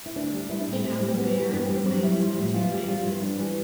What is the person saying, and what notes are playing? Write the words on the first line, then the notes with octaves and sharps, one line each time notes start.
He has a beard, wings and two faces.
E4
D2 D4
G3
G3 E4
D4
A2
C4
A2 A3
G3
C4
E2 B3
E3
G2 D4
C4
G3
C4
F2 D4
G3 E4
F3
A2
E2 F4
G3
F3 F4
G2 E4
G3 D4
E3